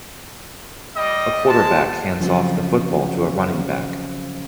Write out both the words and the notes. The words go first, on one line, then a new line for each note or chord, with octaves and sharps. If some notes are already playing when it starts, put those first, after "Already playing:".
A quarterback hands off the football to a running back.
G3 D#5
G#3 A5
C#3 F3 F#3 C4